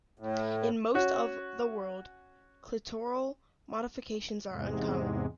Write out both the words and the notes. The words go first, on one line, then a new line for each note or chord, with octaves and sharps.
In most of the world, clitoral modifications are uncommon.
A2
C#4 F#4
E2 G#2 C3 G#3